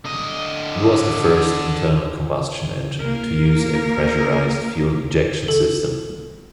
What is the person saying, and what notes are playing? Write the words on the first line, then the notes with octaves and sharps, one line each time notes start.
It was the first internal combustion engine to use a pressurised fuel injection system.
D3 D#5
A#3 A#4
A4